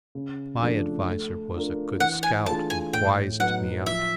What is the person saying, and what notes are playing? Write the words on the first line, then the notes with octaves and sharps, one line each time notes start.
My adviser was a good scout and wised me up.
C#3
F3 A3 D4
A3
D4 F4 A#4
E3 F#5
G#5
A3 D4 F4 G#4 A5
G#5
A2 G5
F#3 B3 D#4 F#5
F3 E5